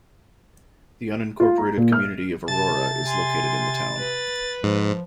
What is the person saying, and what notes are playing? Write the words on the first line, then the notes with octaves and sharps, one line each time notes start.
The unincorporated community of Aurora is located in the town.
F4
A#5
A#2
F6
C3 A5 A6
G#5 C6
B4
G#2 F3